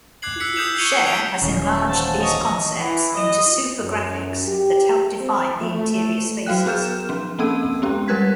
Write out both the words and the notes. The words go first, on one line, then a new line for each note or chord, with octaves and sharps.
Scher has enlarged these concepts into super-graphics that help define the interior spaces.
D6 F#6 G#6 C7 F#7
E6 F#6 B6 C#7
D#6 E6 G6 C7 E7 F7
C#6 G#6 B6 C#7 D#7 F7
C#7
F#6 G#6 B6 D7 F7 G7
D#1 E3 C#4 E4 A6
C5 G#5 A5 C6
A4 C#5 D#5 A#5 C#6
E3
D#5
F#2
G4
C4
A3
F#3 F#4 F5 G5 F#6
B3 G#4 A#4 F6 G6 E7
F3 C#4
A#3 C4 C#4 A4 E6 D#7
G#3 B3 C#4 G4
G3 A#4 B4 F#6 G#6 B6